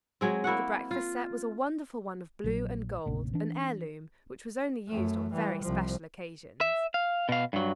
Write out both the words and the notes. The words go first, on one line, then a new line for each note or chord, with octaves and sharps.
The breakfast-set was a wonderful one of blue and gold, an heirloom, which was only used on very special occasions.
F#3 G#3 C4
A#3 E4 F#4 F#5
F4
A#1 D3 F#3
F1 A#1 C#3
E3 D4
F#2 A3
E3 G3
C2 F3
E5
F5
B2 F5
G2 F#3